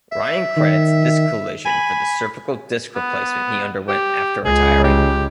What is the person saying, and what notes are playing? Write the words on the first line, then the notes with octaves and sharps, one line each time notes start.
Ryan credits this collision for the cervical disc replacement he underwent after retiring.
E5
D#3
G#5 B5
B3
G4
C#2 C#3 G#4
G4